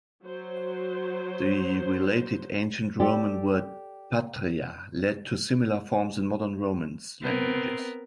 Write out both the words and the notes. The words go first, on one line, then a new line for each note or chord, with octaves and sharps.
The related Ancient Roman word "Patria" led to similar forms in modern Romance languages.
F#3 C5
G4 A4 D5 G5
B3 C4 A#4